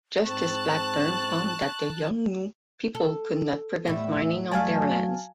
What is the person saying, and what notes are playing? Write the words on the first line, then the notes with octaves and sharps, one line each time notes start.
Justice Blackburn found that the Yolngu people could not prevent mining on their lands.
G#2 C4 A5 C#6 F#6
A4
E2 A2 G3 E5
F#2 F#3 A3 D5 F5 G#5 A5